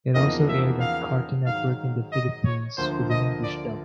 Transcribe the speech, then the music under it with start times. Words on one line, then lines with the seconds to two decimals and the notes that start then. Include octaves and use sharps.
It also aired on Cartoon Network in the Philippines with an English dub.
0.15 E2 C#3 F3 A#3 D#4 D#5
0.48 E5
0.81 F5
1.46 G#2 D#3 F#3 F5
2.12 D#5
2.45 C#5
2.77 D2 D3 F3 A#3 C5
3.10 D#5
3.43 D5